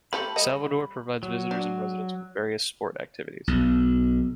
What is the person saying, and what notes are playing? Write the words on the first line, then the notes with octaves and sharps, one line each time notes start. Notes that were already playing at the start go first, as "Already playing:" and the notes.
Salvador provides visitors and residents with various sport activities.
A3 G4 A4 B5
G3 A4 D#5
F#3
D4
B1